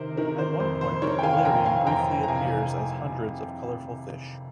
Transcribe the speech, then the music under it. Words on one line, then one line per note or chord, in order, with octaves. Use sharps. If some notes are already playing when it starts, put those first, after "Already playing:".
At one point Delirium briefly appears as hundreds of colorful fish.
Already playing: C3 D#3 A#4 C5
D#3 A#4
C5
F2 C5
C5
D#3 A#4 C#5
G5
F5 G#5
F2 G5 A#5
F5 G#5
F2 G5 A#5
A#5
C3 F5 G#5